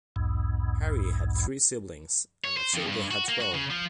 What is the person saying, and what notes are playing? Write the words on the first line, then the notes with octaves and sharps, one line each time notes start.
Harry had three siblings and Matilda had twelve.
B1 E2 G#2
C#5
C5
F2
G2
F#4
A#3
F#4
C#3
F3